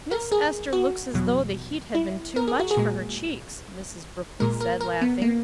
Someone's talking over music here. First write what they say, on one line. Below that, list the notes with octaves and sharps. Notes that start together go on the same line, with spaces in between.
"Miss Ester looks as though the heat had been too much for her cheeks," Mrs. Brookley said, laughing.
A#4
G#4
F#4
E2 B2 F#3
E4
A#4
G#4
F#4
G#4
A#2 G#3
A#2 G#3 A#4
A#4
A#4
B3
A#3